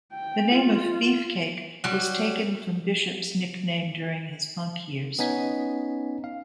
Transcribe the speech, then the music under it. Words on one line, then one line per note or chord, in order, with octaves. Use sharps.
The name of Beefcake was taken from Bishop's nickname during his punk years.
G5
F4
F#3 G3
B3 C#4 D#4 G#5 B6
F5